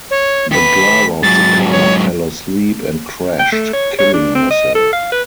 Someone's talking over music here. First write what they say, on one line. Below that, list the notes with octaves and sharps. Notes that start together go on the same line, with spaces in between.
The driver of the car fell asleep and crashed, killing herself.
C#5
D#3 B4 B6
G#2 F#3 A6
C#5
G5
A3
C#5
C#5
D4
C4
D#5
A4
F5
B4